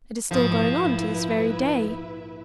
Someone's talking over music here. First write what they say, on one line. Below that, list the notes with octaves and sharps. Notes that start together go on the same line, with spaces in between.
It is still going on to this very day.
A#1 G#2 F3 E4 B4 E5 D#6